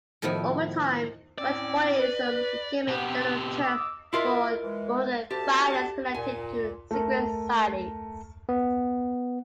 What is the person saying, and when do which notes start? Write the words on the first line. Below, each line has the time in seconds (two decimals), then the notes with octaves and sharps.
Over time, "Whiteboyism" became a general term for rural violence connected to secret societies.
0.22 A2 D#3 F3 B3 E4 F#4
1.38 A2 C4 C#4 D5
1.98 B4
2.88 B2 B3 G4
3.07 C4
3.59 D#5 D6 E6
4.13 E4 F4 A#4 D#5 E5
4.62 E3 G#3
5.31 D2 G4 A5
6.14 A#2 G#5
6.91 A3 A#4
8.49 B3